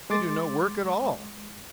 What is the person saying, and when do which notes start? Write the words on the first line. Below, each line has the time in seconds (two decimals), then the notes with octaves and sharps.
They do no work at all.
0.10 G#3 C6 D6 A6